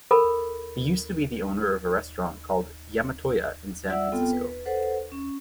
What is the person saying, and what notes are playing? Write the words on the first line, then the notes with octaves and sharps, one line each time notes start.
He used to be the owner of a restaurant called Yamatoya in San Francisco.
A4 A#4 B5
G3 F4 D5 E5 F#5 E6
B3 C4 F4 A4 G5
B4
A4 B4 C5 F#5
C#4